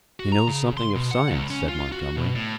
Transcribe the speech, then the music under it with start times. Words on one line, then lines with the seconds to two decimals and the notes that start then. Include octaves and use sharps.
"He knows something of science," said Montgomery.
0.20 F#4
0.32 A#5
0.48 C#3
0.77 C6
0.95 B2
1.11 F#5
1.30 C#2
1.50 C#4
1.68 F4
1.92 F#4
2.17 B2
2.35 A2